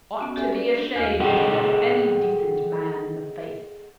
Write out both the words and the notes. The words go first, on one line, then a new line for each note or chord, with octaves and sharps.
Ought to be ashamed to look any decent man in the face.
B3 C#4 F#4
G4 A4 D5 E5 G#5
A#4 D5
D4 A#4
E2 F#4 D#5 F5 G#5 F6
G#4 A4 D#5 F#5 G5